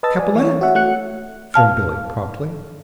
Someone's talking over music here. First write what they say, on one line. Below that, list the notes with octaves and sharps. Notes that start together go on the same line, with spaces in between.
"Capellette," from Billie promptly.
B4 D#5 A5 E6 A6
D5 G#5
E3 C#5
F#4 C#5 E5 F#5
A3 F#4 F#5 F#6 C#7
F5 A5 F6